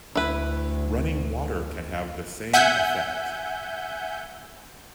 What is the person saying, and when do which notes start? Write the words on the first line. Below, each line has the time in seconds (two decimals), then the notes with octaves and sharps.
Running water can have the same effect.
0.15 D2 E4 B4
2.53 E5 F#5 G#5 G6